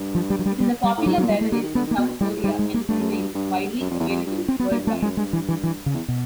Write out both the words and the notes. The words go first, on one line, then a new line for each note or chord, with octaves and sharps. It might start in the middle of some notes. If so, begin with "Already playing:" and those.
It is a popular beverage in South Korea, and it remains widely available worldwide.
Already playing: G2
F3
G3
F#3
G3
G3
G3
A2
G#2 F#3
F#3
A#2
G3
A2 A3
D3 A#3
D#3
D3 B3
D#3
A#3
B2 B3
A2 G3
A2
G#2 G3
G#3
A#3
G2 A3
F#2
G2
G2
F#2
F2
E2
F2
G2
C4
B3
G2 A#3
A3
F2
F#2 G#3
G2 G#3
E3
E3
E3
C#3
E2
B2